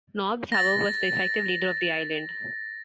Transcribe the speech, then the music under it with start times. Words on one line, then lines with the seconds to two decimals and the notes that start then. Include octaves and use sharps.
Nobbs, however, was the effective leader of the island.
0.52 A6 A#6